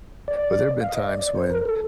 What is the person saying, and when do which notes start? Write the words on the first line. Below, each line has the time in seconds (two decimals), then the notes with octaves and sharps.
but there've been times when
0.28 D5
0.80 F5
0.89 D#5
1.04 D5
1.20 D5
1.35 C5
1.50 A#4
1.65 A4